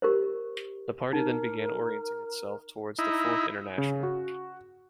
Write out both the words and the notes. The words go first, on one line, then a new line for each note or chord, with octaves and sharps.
The party then began orienting itself towards the Fourth International.
G4 A#4 C5
D#4 A#4
D#4 E4
C#3
F#4